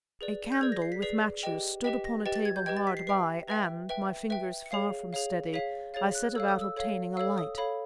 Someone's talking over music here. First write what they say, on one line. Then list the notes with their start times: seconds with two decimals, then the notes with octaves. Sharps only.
A candle, with matches, stood upon a table hard by, and, my fingers far from steady, I set about obtaining a light.
0.21 G#4 B4 D5
0.52 G6
0.61 G#4 B4 D5 G#6
0.72 A#6
0.82 C7
0.92 B6
1.02 G#4 B4 D5 C7
1.43 G4 B4 D#5 G5
1.84 G4 B4 D#5 G5 B6
2.05 A#6
2.26 G4 B4 D#5 G5 A6
2.36 A6
2.45 G#6
2.56 G6
2.66 G4 B4 D#5 G5 G#6
2.77 A6
2.87 B6
2.97 C7
3.07 B4 E5 G5 C7
3.48 B4 E5 G5
3.89 B4 E5 G5
4.30 B4 E5 G5
4.66 C#7
4.71 G#4 C#5 F5 C7
5.13 G#4 C#5 F5
5.53 G#4 C#5 F5 B6
5.94 G#4 C#5 F5 A6
6.15 F#6
6.35 A4 C#5 F5 E6
6.48 D#6
6.61 E6
6.76 A4 C#5 F5
7.17 A4 C#5 F5 E6
7.38 D#6
7.58 A4 C#5 F5 B5